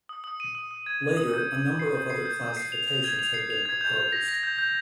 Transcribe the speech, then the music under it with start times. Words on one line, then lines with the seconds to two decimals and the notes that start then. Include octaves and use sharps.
Later, a number of other classifications had been proposed.
0.09 D#6
0.24 D#6
0.40 D#7
0.55 D#6
0.71 D#6
0.86 G#6
1.03 G#6
1.17 D#6
1.34 G6
1.48 G6
1.64 G6
1.79 C7
1.95 G6
2.10 C7
2.25 G6
2.42 G6
2.57 C7
2.72 F7
2.88 F7
3.04 G#6
3.19 F7
3.34 C7
3.50 F7
3.66 G#6
3.81 G6
3.96 G6
4.12 A#6
4.28 A#6
4.43 G6
4.58 G6